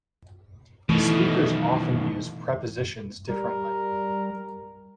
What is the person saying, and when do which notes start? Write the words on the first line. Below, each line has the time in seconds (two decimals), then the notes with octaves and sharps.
Speakers often use prepositions differently.
0.89 B2 D#3 E3 A3
3.29 G3 A#4